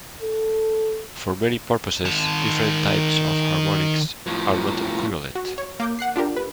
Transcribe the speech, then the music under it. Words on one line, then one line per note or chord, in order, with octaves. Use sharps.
For many purposes different types of harmonics are not equivalent.
A4
D#3 A5
A2 F3
F#4
C#5
A#3 D6 G6
F#5 F#6 C7
D4 F4 G4 A#4
B4